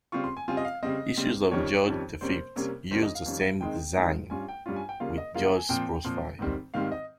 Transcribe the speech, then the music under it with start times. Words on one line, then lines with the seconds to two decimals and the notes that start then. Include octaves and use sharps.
Issues of George the Fifth used the same design with George's profile.
0.12 C#3 G3 C4 F4 C#6
0.24 C6
0.37 G#5
0.48 C#3 G3 C4 F4 G#5
0.57 D#5
0.65 F5
0.83 C#3 G3 C4 D#5
1.17 C#3 G3 C4
1.51 F2 D#3 G3 C#4 C#5
1.87 F2 D#3 G3 C#4
2.21 C3 G3 A#3 C#4 C5
2.56 C3 G3 A#3 C#4
2.91 F2 D#3 G3 C#4 C5
3.03 D#5
3.15 F5
3.25 F2 D#3 G3 C#4
3.61 D#3 G#3 C4 D#4 G5
3.96 D#3 G#3 C4 D#4
4.30 G2 G3 C#4 F4 G#5
4.49 G5
4.66 G2 G3 C#4 F4
4.76 G#5
4.89 G5
5.00 C#3 G3 A#3 F4 F5
5.18 D#5
5.35 C#3 G3 A#3 F4 F5
5.53 G#5
5.69 A#2 F3 C4 G5
6.04 A#2 F3 C4
6.39 G#2 D#3 G3 C4
6.74 G#2 D#3 G3 C4 F5
6.92 D#5